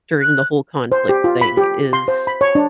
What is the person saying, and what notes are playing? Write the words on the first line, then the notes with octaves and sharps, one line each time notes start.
during the whole conflict thing is
F#6
C5
G4
F4
B5
G4
C6
C5
B5
C#5
D4